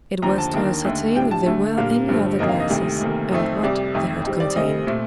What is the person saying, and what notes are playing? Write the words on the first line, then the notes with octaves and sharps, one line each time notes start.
It was to ascertain if there were any other glasses, and what they had contained.
D#2 D3 F3 A#5
A5
D#2 D#3 A#3 D4
D#2 D3 A3
A2 G3 D4 G5
A5
D2 D3 A3
A#2 G3 A#3 D4 F5
G2 D3 F3 A3
F2 C3 D#3 A#3 D4 D#5
F5
D#5
D2 C3 D#3 G3
D2 C3 D#3 A#3
F2 D#3 A3 C4
C2 C3 G3 D5
F2 D#3 A3
F2 D#3 G3 C4
D5
D2 C3 G3 C4 D#5
A#2 A3 C4